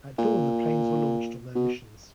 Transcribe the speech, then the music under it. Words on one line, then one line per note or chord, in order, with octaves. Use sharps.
At dawn the planes were launched on their missions.
A#2
B2